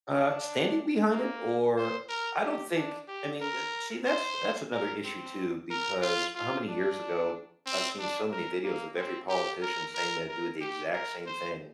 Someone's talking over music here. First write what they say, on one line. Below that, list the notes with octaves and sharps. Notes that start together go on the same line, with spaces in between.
Uh, standing behind it? Or I don't think I mean d see, that's that's another issue too because how many years ago I've seen so many videos of every politician saying they'd do the exact same thing,
D4
A#3
C5
A#4
G4
D4
G4
A#4
C5
A#4
C4
A#4
F4
F4
D4
C4
D4
A#4
A#3
C4
G4
A#4
A#4
A#4
G4
A#4
C5